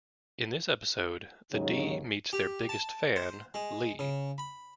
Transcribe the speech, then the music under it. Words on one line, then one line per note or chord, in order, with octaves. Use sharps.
In this episode The D meets their biggest fan, Lee.
D#2 G#2 C#3 F#3 D#4 C#5
G4
A5
C5
G#3
C#3
B5